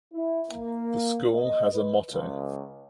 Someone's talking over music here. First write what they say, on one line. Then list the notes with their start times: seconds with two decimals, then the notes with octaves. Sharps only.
The school has a motto.
0.13 E4
0.51 A#3
1.34 D#5
1.73 B4
2.11 C#2